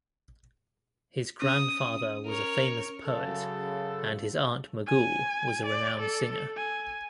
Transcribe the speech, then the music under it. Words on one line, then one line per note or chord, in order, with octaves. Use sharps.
His grandfather was a famous poet, and his aunt Magool was a renowned singer.
C#4 D#6
A#4 C#5
F#2 C#3 A4
G#5
D5
A4
G#5